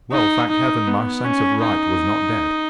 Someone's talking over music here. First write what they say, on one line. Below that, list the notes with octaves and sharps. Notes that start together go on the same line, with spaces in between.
Well, thank Heaven! my sense of right was not dead.
D#4
D#4
B3
C#4
D#4